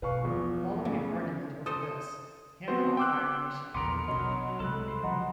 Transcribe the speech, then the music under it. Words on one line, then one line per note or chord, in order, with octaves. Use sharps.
Following an argument over this, Hancock fired Nation.
B2 B4 F5 C#6
E2 F3
C#3
A4 C5 D#5 D#6
B3 C4 F#4 C5
G5 C6 D6 E6 F#6
A#1 E2 D3 B3 A#4 C6 D6
B2 F#3 C#4 D4 D#5 C6
C2 C3 G#3 A4 B5 F#6
G3 C5
C#3 F3 F#3 D#5 F#5 A#5